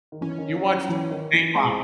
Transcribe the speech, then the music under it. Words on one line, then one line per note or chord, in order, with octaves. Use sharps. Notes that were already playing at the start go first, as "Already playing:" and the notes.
you watched Dateline.
D#3
E3 C#4
D#3
F#3
F#3
E3
D#3
E3
G#3 C4